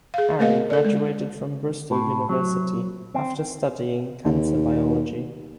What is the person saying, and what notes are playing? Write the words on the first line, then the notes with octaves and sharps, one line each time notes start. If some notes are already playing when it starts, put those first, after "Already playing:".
Aryee graduated from Bristol University after studying cancer biology.
G#4 F5
A3 A#3 A#4 C5 D#5 F5
A4 D5
G#3
A2
F#3
C4
D#2